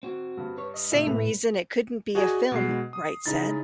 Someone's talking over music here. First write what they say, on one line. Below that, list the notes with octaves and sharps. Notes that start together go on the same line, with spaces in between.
"Same reason it couldn't be a film," Wright said.
C4 F#4
G2
B4 C#5
D#5
A2 C3 E5
A2 B4 F7
F#4 G#4 D5 D#5 G#5
B2 G#3 F#5 C7
D#6
C#3 D#4 E4 A6